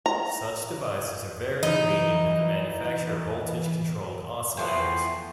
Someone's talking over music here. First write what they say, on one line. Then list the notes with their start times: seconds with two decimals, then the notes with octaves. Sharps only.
Such devices are very convenient in the manufacture of voltage-controlled oscillators.
0.06 A#5
1.63 E3 D#4
4.57 E3 F3 A3 B3 G5 C6 C#6